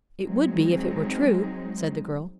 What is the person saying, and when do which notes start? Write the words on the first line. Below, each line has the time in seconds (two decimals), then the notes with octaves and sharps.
"It would be, if it were true," said the girl.
0.24 F#3 G#3 C4 D#4